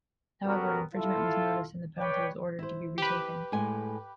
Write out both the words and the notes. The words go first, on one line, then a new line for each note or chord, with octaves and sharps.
However, an infringement was noticed and the penalty was ordered to be re-taken.
B3 C#4 F#4 G4 A4 A#4
E4 F4 A4
B4 C#5 D5 G5
E4 C5
G4 B4
A2 G#3 G#5